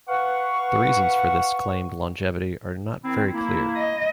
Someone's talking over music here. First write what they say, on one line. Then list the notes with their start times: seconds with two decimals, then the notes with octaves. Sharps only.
The reasons for this claimed longevity are not very clear.
0.08 B4 F5 F#5 C#6
3.04 D#3 C4 E4
3.34 A#3 E4
3.77 D#5